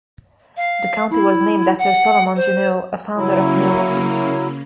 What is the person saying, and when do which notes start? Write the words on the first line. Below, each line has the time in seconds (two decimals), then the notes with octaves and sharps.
The county was named after Solomon Juneau, a founder of Milwaukee.
0.57 F5
1.10 E4
1.78 F#5
2.36 C5
3.16 C#3 F#3 A#3 C#4 E4